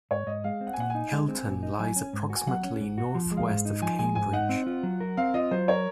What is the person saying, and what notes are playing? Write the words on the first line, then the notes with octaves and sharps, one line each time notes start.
Hilton lies approximately north-west of Cambridge.
G#2 C#5
G#2 D#5
G#3 F5
C4
F#5
G#5
A#2 F#5
D#4 G#5
G#3
C4
A#2
D#4
F#3 G#5
C#4
G#2
F#4
G#5
F#3 F#5
C#4
G#2
F#4
F3
G#3
F5
G#2
D#4
F3 G#5
G#3 G#5
G#2 G#5
D#4 F#5
C4
F4
F#3
A#4
C4 F5
F4 D#5
F#3 C5
A#4 C#5